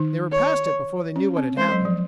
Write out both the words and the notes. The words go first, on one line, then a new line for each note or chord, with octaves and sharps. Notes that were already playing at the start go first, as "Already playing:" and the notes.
They were past it before they knew what had happened.
Already playing: D#3 D#4
C#5
C#4
C4
G#3 C5
F#3
F3